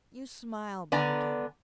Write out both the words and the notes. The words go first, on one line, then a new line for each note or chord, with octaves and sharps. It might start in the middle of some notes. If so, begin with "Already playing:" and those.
You smile, Barbicane.
D3 B3 D5 G#5 A#5